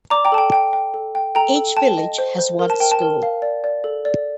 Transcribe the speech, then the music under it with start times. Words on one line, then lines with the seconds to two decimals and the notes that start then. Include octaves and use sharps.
Each village has one school.
0.10 D5 A#5 D6
0.25 G5 A#5
0.32 A4 A5
0.38 G5
0.52 G5
0.73 G5
0.94 A4
1.15 G5
1.35 A4 G5 A#5
1.56 A4
1.77 G5 A5
1.98 D#5
2.18 C5
2.38 C5
2.59 A#4
2.70 A5
2.80 A#4 G5
2.92 A5
3.02 A#4
3.23 F5
3.42 D5
3.64 D5
3.84 A4
4.05 D5